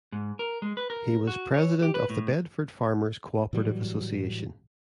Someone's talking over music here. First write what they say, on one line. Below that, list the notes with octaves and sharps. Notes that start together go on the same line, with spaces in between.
He was president of the Bedford Farmers' Cooperative Association.
G#2
A#4
G#3
B4
A#4
F#4
C#5
G4
B4
A2
A2 E3 F#3 G3